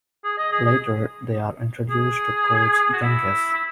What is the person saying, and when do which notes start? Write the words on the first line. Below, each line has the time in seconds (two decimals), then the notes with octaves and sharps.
Later, they are introduced to Coach Genghis.
0.24 G#4
0.38 D#5
0.52 G#4
0.65 G#4
1.91 G#4
2.93 F#4
3.02 E4
3.53 E4